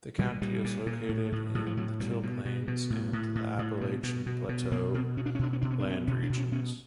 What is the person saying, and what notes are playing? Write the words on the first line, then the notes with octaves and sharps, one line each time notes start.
The county is located in the Till Plains and the Appalachian Plateau land regions.
A#2 G3
A#2 G3
A#2
A#2
A2
A2
A2 F#3
F3
A2 F#3
B2 G3
B2
B2
B2
A2
A2
A2
A2
B2
B2
B2
B2
B2 A#3
B2 C4
B2 C#4
D4
C#4
B2 D4
C#4
B2 D4
C#4
D4
B2 C#4
B2 C#4
D4
B2
C#4
B2 C#4